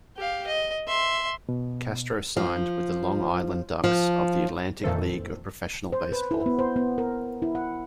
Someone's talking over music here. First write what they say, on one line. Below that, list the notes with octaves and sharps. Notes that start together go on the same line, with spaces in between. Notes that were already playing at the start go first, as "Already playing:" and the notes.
Castro signed with the Long Island Ducks of the Atlantic League of Professional Baseball.
G4 F5
D#5
E5 C6
B2
F3
F3
F2 A#2 D#3 E3 A4 C5
C5
B4
E4
B3
C5
B3
A#4
E4
F#5